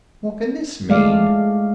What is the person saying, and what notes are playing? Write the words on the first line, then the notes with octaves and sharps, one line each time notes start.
"What can this mean?"
G#3 A3 D5 F5